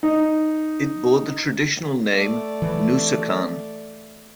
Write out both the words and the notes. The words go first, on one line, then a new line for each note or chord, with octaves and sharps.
It bore the traditional name "Nusakan".
D#4
A3 D5
E3